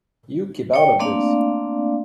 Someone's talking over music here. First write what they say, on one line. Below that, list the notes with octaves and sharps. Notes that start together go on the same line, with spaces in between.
You keep out of this.
C#5 D5 G5
A3 A#3 C4 D4 D5 F5